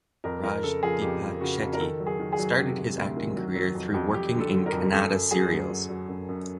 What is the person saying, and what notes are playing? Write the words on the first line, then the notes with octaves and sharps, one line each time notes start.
Raj Deepak Shetty started his acting career through working in Kannada serials.
F2 A#4
F2 A#4
C#3 A4
F3 G#4
F2 G4
F3
C#3 F#4
F2
A#4
D#3 A4
F#3
G#4
D#3
G#4
F#3
C3
C3
D2
D#3
F#3
F#3
F2
F2
F2 G4
D3
A4
F#3
A#4
F2
F#2 A4
F#2
F#3 G#4
F#2
F#3
F#3
F#2
F#2